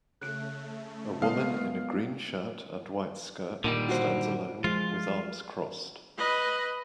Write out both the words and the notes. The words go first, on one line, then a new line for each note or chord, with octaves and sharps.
A woman in a green shirt and white skirt stands alone with arms crossed.
C#3 A3 F#6 D7
G#3 B3 F5
A#2 D3 D#3 G3
F4 F#4 C5
F3 G#3 F4
B4 D#5